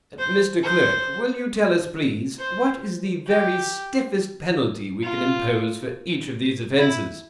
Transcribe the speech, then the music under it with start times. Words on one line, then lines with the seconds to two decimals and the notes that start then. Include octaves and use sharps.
Mr. Clerk, will you tell us, please, what is the very stiffest penalty we can impose for each of these offences?
0.19 C5
0.63 C5
2.39 C5
3.27 G4
5.03 F4
6.78 E4